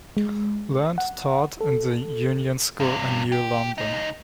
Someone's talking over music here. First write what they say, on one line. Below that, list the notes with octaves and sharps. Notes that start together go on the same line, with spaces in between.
Learned taught in the Union School in New London.
G#3
F#5
A4
G2 C3
G4
C#2 D#4